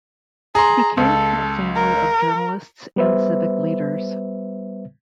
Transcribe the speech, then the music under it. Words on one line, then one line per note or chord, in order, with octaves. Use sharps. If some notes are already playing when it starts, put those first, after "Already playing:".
He came from a family of journalists and civic leaders.
G#4 A#5 C6
C#2 A4
A#4
G3 B3 B4 C5 E5